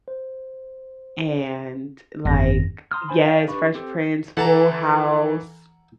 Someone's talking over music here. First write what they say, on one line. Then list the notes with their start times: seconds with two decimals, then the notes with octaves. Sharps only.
and, like Yes, Fresh Prince, Full House,
0.08 C5
2.25 G1 F2 D#3 A#6
2.91 A#5 C6 D#6 F6
3.09 D4 C5 G#5 B5
3.25 D5 D#5 F5 A5
3.47 D4 G4 B4 B5 C#6
3.75 C4 G4 A4
4.37 E3 A4 F#5 A5 A#5